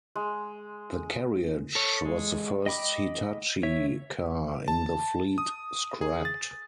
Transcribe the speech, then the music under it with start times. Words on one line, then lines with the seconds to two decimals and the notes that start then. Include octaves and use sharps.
The carriage was the first Hitachi car in the fleet scrapped.
0.15 G#3
1.75 A4 C#5
2.05 G#3
2.66 D#5 G5 B5 D6
3.63 C#5 E5
4.68 A5
5.38 D#6
6.01 G#4
6.25 A6